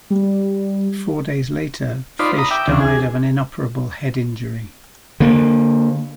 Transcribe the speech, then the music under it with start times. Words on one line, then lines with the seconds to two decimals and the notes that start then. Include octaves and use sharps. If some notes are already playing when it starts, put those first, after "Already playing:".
Four days later, Fish died of an inoperable head injury.
0.10 G3
2.19 D#4 F4 C5 D5 B5
2.38 A#5 B5 D#6
2.51 E5 G5 D6
2.67 D2 C3 E3 D4
2.80 G#4
5.20 D3 A#3